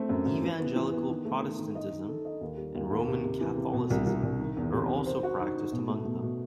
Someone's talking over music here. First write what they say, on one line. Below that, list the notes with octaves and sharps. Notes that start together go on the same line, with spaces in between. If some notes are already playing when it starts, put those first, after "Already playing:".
Evangelical Protestantism and Roman Catholicism are also practiced among them.
Already playing: A3 C4
F#2
F#2
E3
B3
E3
B3
D#3
A3
D#3
D#3
D#5
D#4
A4
D#5
D#2
G3
D#2
D#2
C3
C3
E3
C3
B2
C2
C2
C2
D#3
E2
C3
D#3
C5
F#4
D#4
D#4
B2
A3
B2
B2